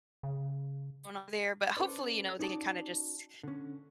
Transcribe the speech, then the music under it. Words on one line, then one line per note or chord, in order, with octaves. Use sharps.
going on there, but hopefully, you know, they can kinda just
C#3
C#4 A4 B4 C5 D5
C#4 D#4 F#4 D5 A5
D3 C#4